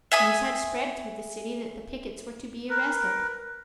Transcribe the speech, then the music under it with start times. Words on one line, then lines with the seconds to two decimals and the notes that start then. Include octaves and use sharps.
News had spread through the city that the pickets were to be arrested.
0.12 E5 G#5 D#6
2.70 A#4 B4